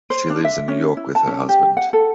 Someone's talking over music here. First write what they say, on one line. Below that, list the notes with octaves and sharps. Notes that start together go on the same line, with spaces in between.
She lives in New York with her husband.
C5
D4
E5
C#4
E4
A5
C#4
G4
F#5
A4